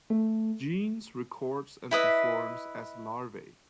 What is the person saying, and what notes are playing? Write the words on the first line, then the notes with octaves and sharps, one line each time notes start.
Jeanes records and performs as Larvae.
A3
E4 B4 D#5 E5